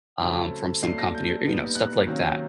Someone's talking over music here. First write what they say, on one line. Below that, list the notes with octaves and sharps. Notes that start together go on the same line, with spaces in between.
um, from some company or, y you know, stuff like that.
C#3 F#3 A3 C4
A#2 F#3 A3 D4 C7
A#6
G6
A#2 G3 B3 D#4
F#6
C3 D#3 F#3 A#3 C#4